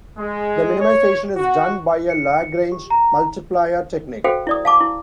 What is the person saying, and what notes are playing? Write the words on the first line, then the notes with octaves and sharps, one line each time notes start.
The minimization is done by a Lagrange multiplier technique.
G#3
C#5
F#4
C#7
G4
A#5
F#4 A4 C5 F5 G5
E4 D5 D#6
F5 A5 D6
E4